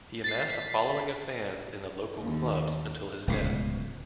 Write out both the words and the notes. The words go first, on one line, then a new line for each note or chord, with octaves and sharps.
He amassed a following of fans in the local clubs until his death.
A6 B6 C7
D#2
D1 C#2 B2